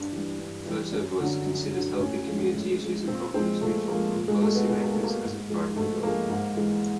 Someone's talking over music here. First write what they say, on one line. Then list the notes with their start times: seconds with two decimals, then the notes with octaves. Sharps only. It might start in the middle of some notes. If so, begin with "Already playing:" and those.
Photovoice considers helping community issues and problems reach policy makers as its primary goal.
Already playing: G2 D4
0.12 E3 G3
0.39 G2
0.66 E3 G3
0.92 F#2
1.19 D3 F#3
1.46 F#2
1.73 D3 F#3
2.00 A2 C#4
2.27 F3 G#3
2.54 A2
2.80 F3 G#3
3.08 A#2 C4
3.34 F3 G#3 C4
3.61 A#2 A3
3.88 F3 G#3 A#3
4.15 A#2
4.28 G#3
4.41 F#3 A3
4.55 B3
4.68 A#2 B3
4.81 A#3
4.92 F#3 A3
5.04 A#3
5.22 G#2
5.49 F3 G#3
5.76 G#2 A3
6.03 F3 G#3 A#3
6.29 G#2
6.56 E3 G#3